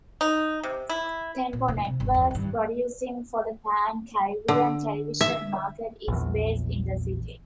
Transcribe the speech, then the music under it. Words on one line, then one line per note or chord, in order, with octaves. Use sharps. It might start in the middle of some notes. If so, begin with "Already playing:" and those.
Tempo Networks, producing for the pan-Caribbean television market, is based in the city.
D#4
C3
E4
A#2
F1 D3
C3
G1 E2
E2
G2 D#3
D3
E5
A#1 E2